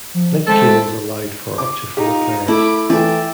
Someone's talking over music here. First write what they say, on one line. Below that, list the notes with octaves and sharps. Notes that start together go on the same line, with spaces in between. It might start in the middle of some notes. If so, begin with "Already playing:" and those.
Link cables allowed for up to four players.
F3
G#3 A3 C4 A4
D6
D#4 F4 G4
A3 E4 B5 D6
E3 A3 D5 E5 G5